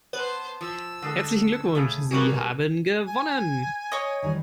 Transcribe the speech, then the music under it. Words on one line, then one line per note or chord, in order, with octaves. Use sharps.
Herzlichen Glückwunsch, Sie haben gewonnen!
B3 B4 C5 A5
F3 E6
D3 G#3 A4
C#3 A3 G#4
F3 G3 A#3 D#4 F#4 G#4 B4
G#5
C#5 D#5
D#3 E3 G3